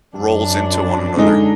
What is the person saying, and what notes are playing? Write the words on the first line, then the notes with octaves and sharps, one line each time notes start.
rolls into one another.
F#2 D4
D3 G#3 D#4